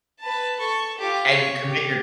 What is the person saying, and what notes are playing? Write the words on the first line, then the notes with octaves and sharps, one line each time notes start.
and you commit your
B4 A5
A4 C#6
F4 G4
C#5
G4